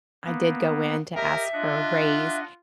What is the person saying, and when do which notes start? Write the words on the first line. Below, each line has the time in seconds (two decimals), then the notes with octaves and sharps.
I did go in to ask for a raise,
0.25 A#3 B3
1.16 G4 A#4 D#5 E5
1.53 D4 F4 D#5 F#5